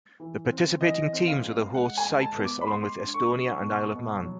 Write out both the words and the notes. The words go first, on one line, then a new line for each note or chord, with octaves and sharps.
The participating teams were the hosts Cyprus along with Estonia and Isle of Man.
E3
C4
E3 D#5
C4
F5
G#3
G#3 F#5
G#5
G#3
A5
B3
D6
B5
G#3 C6
D4
C#6
D4
B2
B2
F#3